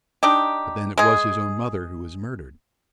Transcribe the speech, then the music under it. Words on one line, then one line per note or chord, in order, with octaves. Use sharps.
"But then it was his own mother who was murdered."
D4 D#4 G4
G#3 G#4